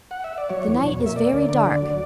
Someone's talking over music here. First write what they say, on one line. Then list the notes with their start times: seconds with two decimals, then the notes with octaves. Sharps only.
"The night is very dark."
0.11 F#5
0.24 E5
0.38 D5
0.49 F#3 C#5
0.67 E2
0.82 B2
1.00 A#3
1.06 E5
1.16 A#3 D5
1.33 D2
1.49 D3
1.66 D2
1.82 F#3